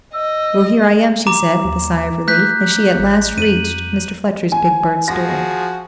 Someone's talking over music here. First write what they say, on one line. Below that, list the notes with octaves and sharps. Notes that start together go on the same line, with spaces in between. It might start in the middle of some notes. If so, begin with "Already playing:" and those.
"Well, here I am," she said with a sigh of relief, as she at last reached Mr. Fletcher's big bird store.
D#5 E6
A#5 D6 E7
D#2
A3 F#6 G6 B6
A1
F2 D#7 F#7
G#5
F3 F#4 G#4 A#6